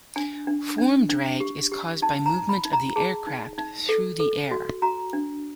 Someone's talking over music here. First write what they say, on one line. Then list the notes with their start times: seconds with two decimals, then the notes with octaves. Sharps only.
Form drag is caused by movement of the aircraft through the air.
0.16 D4 G#5
0.47 D4
0.78 D4
1.09 D4
1.40 G4
1.72 G4
2.02 D#4 A5
2.26 A#5
2.34 D#4
2.49 B5
2.65 D#4
2.73 A#5
2.96 G#4 A5
3.27 D#4
3.58 D#4
3.89 A4
4.20 A4
4.51 F#4
4.82 F#4 A#5
5.13 D4